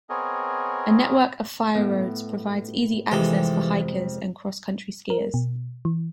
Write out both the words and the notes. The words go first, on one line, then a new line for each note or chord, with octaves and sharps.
A network of fire roads provides easy access for hikers and cross-country skiers.
B3 C4 G#4 A#4 C#5 D#5
A2 B3
F2 C3 E3 G#3 G4 A4
A#4
B2
E3